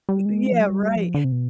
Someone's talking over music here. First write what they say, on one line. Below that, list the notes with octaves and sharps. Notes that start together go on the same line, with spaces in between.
yeah, right.
G3
G#3
F3
G3
F3
D3
C3
B2